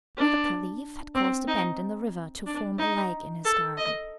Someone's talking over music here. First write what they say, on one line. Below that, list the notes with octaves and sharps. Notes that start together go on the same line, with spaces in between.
Now the Caliph had caused a bend in the river to form a lake in his garden.
D4
C4
D#4
D4
D#4
A4
D#5